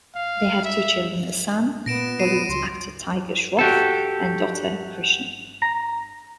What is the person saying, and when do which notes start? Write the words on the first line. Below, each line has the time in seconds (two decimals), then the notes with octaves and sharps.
They have two children, a son, Bollywood actor Tiger Shroff and daughter, Krishna.
0.15 F5
0.64 E5
1.86 A#2 B3 A#6 D7 E7
2.19 C7 D#7 E7
2.49 C#2 C6
3.59 F#4 G4 A4
5.62 A#5